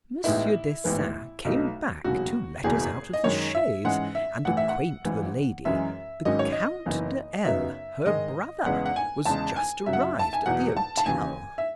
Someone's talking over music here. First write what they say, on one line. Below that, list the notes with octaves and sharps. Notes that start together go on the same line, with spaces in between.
Monsieur Dessein came back to let us out of the chaise, and acquaint the lady, the count de L-, her brother, was just arrived at the hotel.
A1 A2 G#3 B3 D#4 E4
A1 G#2 E3 B3
B1 B2 A3 D#4
E1 D#2 C#3 F#3 C#4 F#4
F#1 E2 B2 G#4
D#5
F#2 D#3 G#3 D#4 C#5
E5
G#2 E3 G#3 C#4 F#5
E5
A1 A2 E3 F#5
E5
F#5
G#1 G#2 E3
F#2 E3 G#3 C#4 E5
G#1 G#2 D#3 F#3 C#4 D#5
C#5
D#5
F#1 F#2 E3 B3 D#4
F#2 C#3 F#3 B3 D#4 E5
G#2 D#3 G#3 D#5
E2 C#3 G#3 B3 F#5
F#5
G#5
E2 C#3 G#3 A5
G#5
F#2 C#3 F#3 E5
F#5
E5
A5
G#5
E2 B2 F#3 F#5
A5
A5
D#2 C#3 E3 G#5
E5